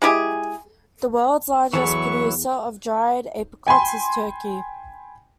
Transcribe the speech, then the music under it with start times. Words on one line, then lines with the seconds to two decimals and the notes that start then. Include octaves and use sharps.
The world's largest producer of dried apricots is Turkey.
0.02 G#3 E4 G4 G#4
1.73 E2 E3 F#3 E4 A4 B5 C#6
3.67 G5 G#5 B5 C6